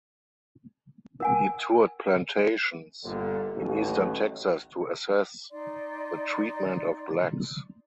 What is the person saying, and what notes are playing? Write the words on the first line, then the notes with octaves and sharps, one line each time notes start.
He toured plantations in eastern Texas to assess the treatment of blacks.
A#4 F#5 G#5
G1 A#2 D3
A1 D#2 F#3
D#4 D5 C6